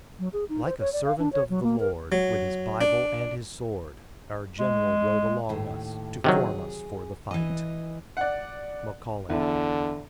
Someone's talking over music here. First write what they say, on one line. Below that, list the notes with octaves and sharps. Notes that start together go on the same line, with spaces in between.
Like a servant of the Lord, with his bible and his sword, Our general rode along us, to form us for the fight. --Macaulay.
F#3
G#4
D#4
C5
C#5
D5
F5
D4
C#5
F#3
A#3
A#4
F#3
D4
G#3
D#2 A2
C3 D#3 F#3 G#4
E3 D#5
D5 F#5
E2 D3